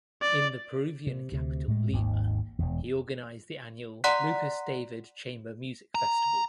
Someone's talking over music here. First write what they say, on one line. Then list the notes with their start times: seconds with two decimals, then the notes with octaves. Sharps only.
In the Peruvian capital Lima he organised the annual "Lukas David Chamber Music Festival".
0.22 D5
1.07 C3
1.32 D2 C3
1.68 A2 G#3
1.92 G#1 D#2 G#2
2.59 E1 E2
4.04 D5 F#5 A#5 C6 F#6 B6
5.95 A#5